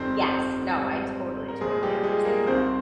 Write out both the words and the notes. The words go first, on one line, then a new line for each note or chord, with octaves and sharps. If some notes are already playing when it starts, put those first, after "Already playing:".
Yes, no, I totally, totally understand that.
Already playing: G1 F2 D#3 G3 C4 C5
G#1 G#2 G3
A#4
A#1 A#2 F3 G#3 G#4
G3 G4
G#3 G#4
G#4
A#3 A#4
C2 C3 D#3 C4 C5